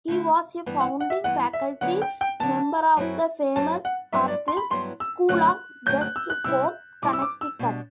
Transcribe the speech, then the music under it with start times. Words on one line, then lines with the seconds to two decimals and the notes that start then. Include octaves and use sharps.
He was a founding faculty member of the Famous Artists School of Westport, Connecticut.
0.08 D3 A3 E4
0.66 G2 E3 B3
0.81 F#5
1.00 F#5
1.10 E5
1.24 G2 E3 B3 F#5
1.53 E5
1.81 D3 F#3 B3 F#5
2.02 G5
2.21 G5
2.40 D3 F#3 B3 A5
2.97 F#2 F#3 C4 E4
3.56 F#2 F#3 C4 E4 A5
3.85 F#5
4.12 G2 F#3 B3 E4 E5
4.28 D5
4.48 C6
4.57 B5
4.70 G2 F#3 B3 E4 C6
5.00 E6
5.28 F#2 D3 F#3 A3 C4 F#6
5.86 F#2 D3 F#3 A3 C4 G6
6.01 F#6
6.16 E6
6.30 F#6
6.44 C3 G3 C4 E4 E6
7.02 C3 G3 C4 E4 D6
7.13 E6
7.22 D6
7.41 E6
7.59 B2 G3 D4